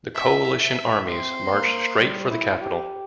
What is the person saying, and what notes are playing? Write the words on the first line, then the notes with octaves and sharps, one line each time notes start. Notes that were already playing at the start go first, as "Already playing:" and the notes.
The Coalition armies marched straight for the capital.
E5
E5
C4 C5
A#3
G3
E4
G4